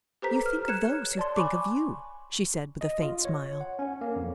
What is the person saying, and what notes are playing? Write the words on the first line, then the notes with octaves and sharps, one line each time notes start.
"You think of those who think of you," she said with a faint smile.
G4 A4 B4 C5 A#5 B6
F6
F#6 G#6 C#7 E7
C#5
D5 A5 C6
G#5 B5 C#6 D6
D#5
F4
C#5
F#5
C#4
A#3
F2